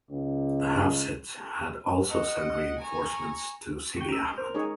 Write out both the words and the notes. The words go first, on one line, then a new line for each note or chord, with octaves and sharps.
The Hafsids had also sent reinforcements to Sidi Ahmed.
C#2
D#5 F#5
G#5 A#5 C#6
F#4 G5 C#6
C#4 A#5 E6
G#3 G6
A#4 C5
G#3 D#4 G#4 C#5